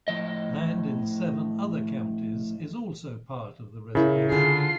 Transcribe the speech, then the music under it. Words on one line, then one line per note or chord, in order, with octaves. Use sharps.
Land in seven other counties is also part of the reservation.
A2 F3 D#5
C#3 E4 A#4
D3 F4 G#4 C7